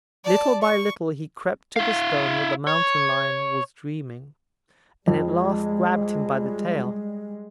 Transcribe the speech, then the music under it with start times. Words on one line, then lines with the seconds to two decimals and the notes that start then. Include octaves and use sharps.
Little by little he crept to the stone where the Mountain-lion was dreaming, and at last grabbed him by the tail.
0.24 D5 A5
0.62 C#6
1.76 E4 F5
2.67 C#5
5.08 F2 G3 G#3